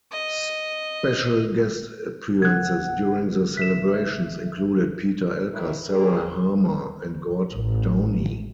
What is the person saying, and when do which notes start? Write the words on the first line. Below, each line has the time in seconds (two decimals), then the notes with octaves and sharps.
Special guest appearances during the celebrations included: Peter Elkas, Sarah Harmer and Gord Downie.
0.11 D#5
2.42 C#3 F#5 F#6 G#6
3.57 E5 B6 E7
5.52 A2 D#3 E4
5.89 G3 A#3 G#4
7.52 A1